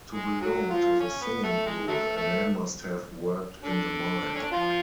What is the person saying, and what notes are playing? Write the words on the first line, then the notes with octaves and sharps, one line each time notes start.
To belong to the singing group, a man must have worked in the mine.
G#3 G#4
F#3 F#4
F3 F4
C#4
B3
A3
G#3
D3 F#3 A3
A3
D3 D4
C#4
D4
F3 F4